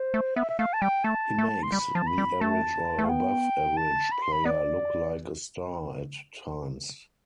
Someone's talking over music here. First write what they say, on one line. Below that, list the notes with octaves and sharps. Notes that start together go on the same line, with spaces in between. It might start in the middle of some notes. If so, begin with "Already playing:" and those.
He makes the average or above average player look like a star at times.
Already playing: C5
A3
B3 E5
E5
A3 F5
A5
G3 G5
A3 A5
A3
C6
G3 B5
F3 A5
B5
G3
A3 A5
A3
F5
B3 G5
A5
B5
C6
B5
B3 D5